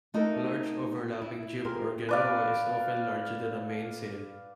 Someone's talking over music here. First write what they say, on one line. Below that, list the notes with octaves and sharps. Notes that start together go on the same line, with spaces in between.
A large overlapping jib or genoa is often larger than the mainsail.
A3 D#4 F#4 A4 A#4 E5
F#5 G5
E4
F4 G4 G#4 A#4 C5
B4 D5 F5